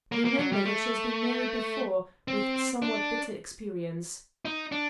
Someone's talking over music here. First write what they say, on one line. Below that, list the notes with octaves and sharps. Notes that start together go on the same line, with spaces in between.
Remember that she has been married before, with somewhat bitter experience.
A#3
A#3
F#3
G3
A3
C4
D4
D#4
D4